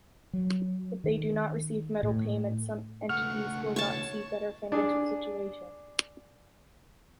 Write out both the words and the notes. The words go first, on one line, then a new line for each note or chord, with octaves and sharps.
If they do not receive metal payments, some entities will not see a better financial situation.
F#3
D#3
A2
C#2 A3 F#5 C#6 F6
C#5 A5 C#6
D4 G#4